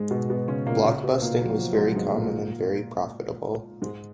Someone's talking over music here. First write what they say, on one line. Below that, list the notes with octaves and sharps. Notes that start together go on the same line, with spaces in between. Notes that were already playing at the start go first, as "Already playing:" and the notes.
Blockbusting was very common and very profitable.
Already playing: G#2 G#3
B2 B3
B2 B3
C#3 C#4
A#2 A#3
C#3 C#4
B2 B3
A#2 A#3
F#3
F3
G#3
F#3
G#2 G#3
A#2 A#3
G#2 G#3